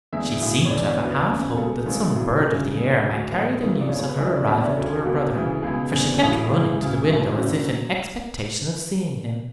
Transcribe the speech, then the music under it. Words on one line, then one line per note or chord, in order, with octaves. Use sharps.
She seemed to have a half-hope that some bird of the air might carry the news of her arrival to her brother, for she kept running to the window as if in expectation of seeing him.
E2 D3 G#3 E5
B1 A2 G#3
C#5
E1 E2 D3 D5
D5
C#5
E1 D2 D3 B4
F#1 E2 C#3
B1 B2 G#3 A4
G#1 G#2 G#3
B1 A2 F#3 G#4
D2 C#3 F#3
E2 D3 G#3 G#4
D2 D3 F#3
B1 A2 E3 G#3 B4
G#1 G#2 E3 G#3
D5
C#2 B2 G#3 C#5
C#5
B4
D2 C#3 E3 G#3 D5
E5
D5
E2 D3 F#3 E5
D5
C#5
D2 C#3 F#3 A4
G#4
A4
C#2 B2 F#3 F#4
D2 C#3 E3 G#3
C#2 B2 G#3 G#4
F#1 E2 D3 G#4
A1 A2 G#3 G#4
F#4
E4
C#2 C#3 E3 G#3
D2 C#3 G#3
A1 G#2 F#3 E4
F#1 F#2 D3 F#3 F#4
F#3